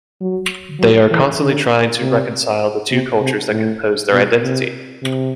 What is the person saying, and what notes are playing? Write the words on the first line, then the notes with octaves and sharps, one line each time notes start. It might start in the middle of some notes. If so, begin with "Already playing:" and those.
They are constantly trying to reconcile the two cultures that compose their identity.
F#3
F#3
E3
D3
C3
C3
C3
A2
B2
C3
C3